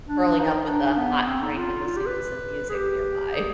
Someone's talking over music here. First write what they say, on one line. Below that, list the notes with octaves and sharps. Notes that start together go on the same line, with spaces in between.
curling up with a hot drink and listening to some music nearby.
D4
D#4
D4
B3
C4
D#4
F4
F4
G4
B4
G#4
G4
G#4